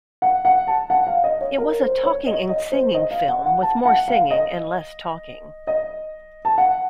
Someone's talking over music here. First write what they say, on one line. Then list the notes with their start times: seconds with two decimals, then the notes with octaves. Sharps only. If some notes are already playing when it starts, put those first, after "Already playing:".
It was a talking and singing film with more singing and less talking.
0.22 F#5
0.45 F#5
0.67 A5
0.90 F#5
1.07 F5
1.24 D#5
1.41 C#5
1.58 A#4
1.81 C5
2.04 C#5
2.27 D#5
2.49 D#5
2.72 C5
2.94 D#5
3.11 F5
3.28 F#5
3.46 F#5
3.62 A5
3.85 F#5
4.08 F5
4.31 D#5
5.67 D#5
6.45 A5
6.58 F#5